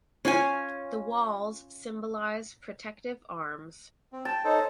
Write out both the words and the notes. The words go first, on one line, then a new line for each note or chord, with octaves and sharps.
The walls symbolize protective arms.
C#4 F4 C#5 G#5
C4
G5 A5
D#4 A4 C5 C#5 D#5